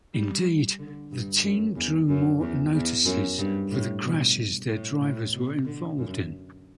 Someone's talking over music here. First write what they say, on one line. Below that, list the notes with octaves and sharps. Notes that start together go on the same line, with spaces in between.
Indeed, the team drew more notices for the crashes their drivers were involved in.
G3
D3
G2
F#2
E2
F#2
E2
E2
F#2
G2
A2
B2
A2
A2
B2
D3
F#2